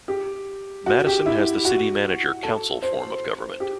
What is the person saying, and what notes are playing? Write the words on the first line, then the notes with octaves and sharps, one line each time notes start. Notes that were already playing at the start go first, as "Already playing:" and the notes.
Madison has the city manager-council form of government.
G4
F#4
G4
E4
F#4
A4
C5
G4